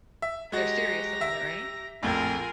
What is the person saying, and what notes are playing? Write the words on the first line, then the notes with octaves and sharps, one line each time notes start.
They're serious about it, right?
E5
G#3 F#4 G4 A#5 A#6
E5
A#1 F2 A2 F4 G#4 A#4